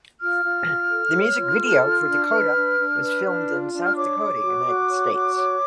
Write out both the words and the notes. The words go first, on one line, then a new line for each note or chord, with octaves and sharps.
The music video for "Dakota" was filmed in South Dakota, United States.
F4 F6
F4
F4
A4
C#5
F4
A4
F4
D4
B4
D4
D4
B4
D4
F4
D4
F6
C#5 D6
C#5
F#4
F#4
C#5
F#4
C#5